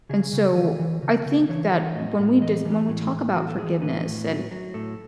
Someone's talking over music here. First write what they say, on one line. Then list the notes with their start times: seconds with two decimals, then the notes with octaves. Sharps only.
And so, I think that when we dis when we talk about forgiveness and
0.09 C#3 G#4
0.33 C#3
0.55 E3 B4
0.79 E3
1.02 C#3
1.25 C#3
1.49 E3 C#5
1.72 E3 C#5
1.95 A2 D#5
2.19 A2
2.42 E3 D#5
2.65 E3
2.89 A2
3.12 A2
3.35 E3 F#4
3.48 A4
3.58 E3 G#4
3.81 A2 B4
4.05 A2
4.28 F#3
4.51 F#3
4.74 A2 A4